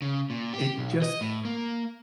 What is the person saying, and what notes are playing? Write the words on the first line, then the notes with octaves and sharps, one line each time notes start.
It just
C#3
A#2
G4
B1
D#5
A2
A#3